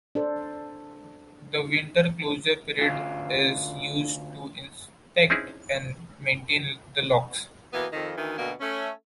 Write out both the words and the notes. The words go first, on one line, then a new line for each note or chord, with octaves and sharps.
The winter closure period is used to inspect and maintain the locks.
D4 A4 C5
D2 F4
C4 C#4 D#4 E4 G#4 B4
B2 E3 A#3 B3
F2 D#3
D2 D#3 E3
D2 B2 D3 A#3
A3 C#4